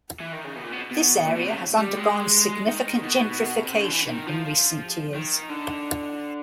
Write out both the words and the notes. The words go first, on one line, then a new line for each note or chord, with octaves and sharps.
This area has undergone significant gentrification in recent years.
E3
D#3
C#3
B2
A#2
B2
B2
A#2
B2
C3
C#3
G3
G#3
D#3
B2
C3
C#3
D3
E3
D#3
F3
D#3
D3